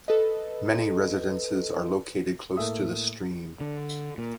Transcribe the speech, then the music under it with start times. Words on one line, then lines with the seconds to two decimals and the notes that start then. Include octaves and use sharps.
Many residences are located close to the stream.
0.08 A4 B4 D#5
2.57 A2 A#3 A4 E5 D#6
3.60 D3
4.18 A#2